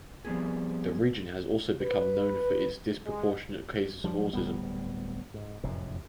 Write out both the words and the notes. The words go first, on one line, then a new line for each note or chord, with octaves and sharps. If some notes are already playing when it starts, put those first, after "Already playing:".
The region has also become known for disproportionate cases of autism.
F3 G3 B3 C4 G4 G#4
B4
G#3
F3 G3
D1 G3 B3
G#2
F1 F#2 A2